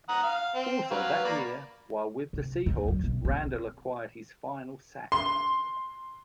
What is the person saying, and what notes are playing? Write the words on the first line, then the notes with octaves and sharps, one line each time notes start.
Also that year, while with the Seahawks, Randle acquired his final sack.
F#5 A#5 D#6
F5
C4
F#3 B4 F5
A#3 D5 B5
C3
D#2
F#2
B1
C4
C6